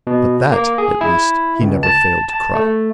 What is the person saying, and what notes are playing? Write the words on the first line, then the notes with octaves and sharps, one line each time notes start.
But that, at least, He never failed to cry.
B2
A#3
G#4
E4
C#2
A5
A5
A3